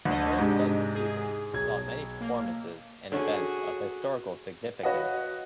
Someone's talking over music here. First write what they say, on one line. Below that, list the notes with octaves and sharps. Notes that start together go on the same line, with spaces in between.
The first dozen seasons saw many performances and events of historical significance.
D2 D4 D#5
G#2 C3 G#3
G#4
B1 G#6
A#3
D3 C#4 F#4 G#4
F#4 B4 C#5 D#5 F5 F#5